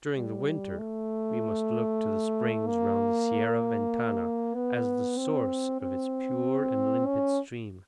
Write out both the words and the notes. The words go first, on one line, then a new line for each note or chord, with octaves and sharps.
During the winter we must look to the springs round the Sierra Ventana as the source of its pure and limpid stream.
G3
A3
A#3
B3
C4
C4
C#4